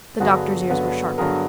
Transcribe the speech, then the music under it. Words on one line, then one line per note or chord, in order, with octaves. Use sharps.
The Doctor's ears were sharp.
G2 D3 F#3 B3 F#4 G#4
G2 D3 F#3 B3
G2 D3 F#3 B3 G#4 A#4